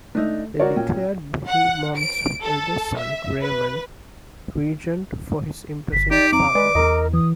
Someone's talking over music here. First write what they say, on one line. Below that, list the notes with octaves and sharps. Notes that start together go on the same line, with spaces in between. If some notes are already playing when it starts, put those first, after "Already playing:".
They declared Bohemond's eldest son, Raymond, regent for his imprisoned father.
A3 D4 D#4 E5
F#4 A#4 C#5 D5
A#2 C#4 G5
F#5
D7
A4
E5
B4
G1 B6
D#4 G4 D5
F2 A#5 D6
G#3 B4 D5
E2 A#4 D#5 A#5
E3 D#6